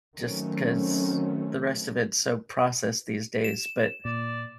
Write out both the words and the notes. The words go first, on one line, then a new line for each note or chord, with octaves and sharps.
just 'cause the rest of it's so processed these days. But
D#3 F#3 A3 C4 C#4
E7
A#2 D5